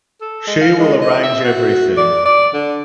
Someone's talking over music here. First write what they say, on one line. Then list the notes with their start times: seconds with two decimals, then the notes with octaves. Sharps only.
She will arrange everything.
0.21 A4
0.47 G#3
0.61 F5
0.79 G#3
1.02 D#5
1.23 E5
1.45 F#4
1.97 D5
2.26 D5
2.54 D3